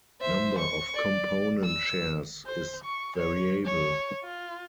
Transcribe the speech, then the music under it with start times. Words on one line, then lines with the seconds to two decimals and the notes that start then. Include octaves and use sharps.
Number of component shares is variable.
0.21 C5 E5
0.59 C#6
0.94 D5
1.64 E6
2.46 C5
2.84 C#6
3.16 C#5
3.65 C#5
4.24 F4